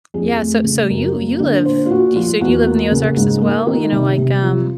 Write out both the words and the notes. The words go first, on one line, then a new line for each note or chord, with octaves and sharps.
yeah, so so you you live do you so do you live in the Ozarks as well? You know, like, um,
F2 G#4
A3
C#3
F#2 A#4
A#3
D3
A#2 C5
F4
A#2 F#4
F3 F4
E2 F#4
A#3
C#3
G#2
A#3
D#3
C3
C3
F3